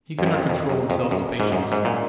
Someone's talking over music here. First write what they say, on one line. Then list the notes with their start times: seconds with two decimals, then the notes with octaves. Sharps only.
He could not control himself to patience.
0.19 F2
0.26 F#2
0.34 F2
0.49 F2
0.69 F#2
0.90 F2
1.11 F#2
1.40 G#2
1.52 F#2
1.72 G#2
1.85 A#2